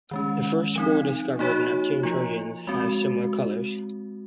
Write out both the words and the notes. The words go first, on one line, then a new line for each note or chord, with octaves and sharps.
The first four discovered Neptune trojans have similar colors.
D#3 G#3 C#4
F3 C4 D#4
A#3 D#4 F#4 C#5
F3 A#3 F4
G#3 C4 F#4